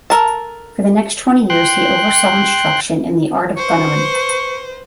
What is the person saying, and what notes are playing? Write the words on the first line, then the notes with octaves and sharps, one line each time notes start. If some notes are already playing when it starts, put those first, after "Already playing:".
For the next twenty years he oversaw instruction in the art of gunnery.
A4 A#4 A5
G5 C6 F#6
B4 C5 C#6